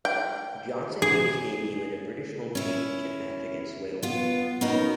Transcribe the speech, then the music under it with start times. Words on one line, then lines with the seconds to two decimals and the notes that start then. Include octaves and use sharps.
Johnstone made his debut in a British Home Championship match against Wales.
0.05 G5
1.02 G#4
2.55 C#4 E4
4.03 B3 F4
4.61 B3 C#4 D#4 F#4 A#4